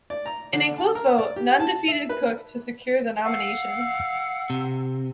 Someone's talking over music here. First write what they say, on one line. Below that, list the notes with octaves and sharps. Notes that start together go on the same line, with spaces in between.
In a close vote, Nunn defeated Cook to secure the nomination.
D5
A#5
D3
A5
A#4
D5
G4
A5
E5
B4
F5 F#5 E6
C3